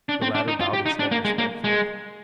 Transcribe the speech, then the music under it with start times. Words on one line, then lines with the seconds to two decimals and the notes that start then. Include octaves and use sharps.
The latter bowed his head respectfully.
0.09 D4
0.22 C4
0.35 D4
0.48 D#4
0.61 F4
0.73 G4
0.86 D#4
0.99 D4
1.12 A#3
1.25 G#3
1.38 A#3
1.64 G#3